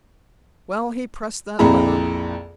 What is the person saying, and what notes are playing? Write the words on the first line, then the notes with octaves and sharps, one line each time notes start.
Well, he pressed that lever.
A#1 F2 E4 G#4 A#5 B5